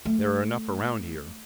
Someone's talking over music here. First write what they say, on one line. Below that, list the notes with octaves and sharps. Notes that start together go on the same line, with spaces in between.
"There are enough around here."
A3